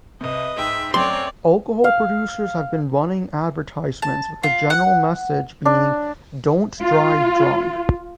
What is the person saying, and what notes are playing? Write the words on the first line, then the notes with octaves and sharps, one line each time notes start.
Alcohol producers have been running advertisements with the general message being "don't drive drunk".
C2 C3 B4 D#5
G#2 E5 G5
F#2 F#3 A3 C4 C#5 D5 C6
F5
A5
F4
F#5
D4
F4